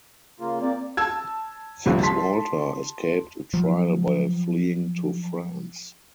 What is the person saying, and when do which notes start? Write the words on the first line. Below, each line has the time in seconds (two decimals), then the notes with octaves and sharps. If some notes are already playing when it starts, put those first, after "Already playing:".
Fitzwalter escaped a trial by fleeing to France.
0.40 C#3 A#3 F4
0.62 A#3 C4 D5
0.97 A5 E6 G#6
1.86 G1 C2 C3 F3
2.03 A5 C6 B6
3.54 F3 F#3